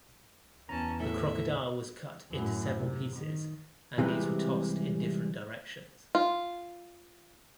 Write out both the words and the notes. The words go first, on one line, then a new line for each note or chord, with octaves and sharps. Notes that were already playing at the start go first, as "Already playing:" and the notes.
The crocodile was cut into several pieces and these were tossed in different directions.
E2 C#4 A5 A#5
A2 A4 E5
F#2 A2
C3
D#3
C3 E3 G3 G#3 C4
F4